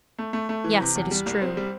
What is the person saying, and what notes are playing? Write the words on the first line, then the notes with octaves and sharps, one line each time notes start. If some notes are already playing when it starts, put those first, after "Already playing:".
Yes, it is true.
A3
A3
A3
E3
C3
E2
G3
C2
C4
G3